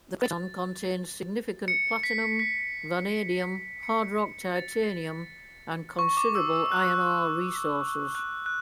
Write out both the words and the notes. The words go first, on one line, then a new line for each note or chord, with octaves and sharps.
The craton contains significant platinum, vanadium, hard-rock titanium and considerable iron ore resources.
A6
C#7
B6
B6
C#7
A6
C#6
D6
E6
E6
F#6
F#6
F#6